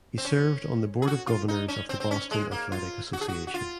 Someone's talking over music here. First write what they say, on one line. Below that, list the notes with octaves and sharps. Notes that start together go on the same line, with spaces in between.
He served on the Board of Governors of the Boston Athletic Association.
C4
C#4
G#4
F#4
F4
D#4
C#4
C4
C4
C#4
G#3
A#3
F4
F#4
G#4
F#4
F#4
F4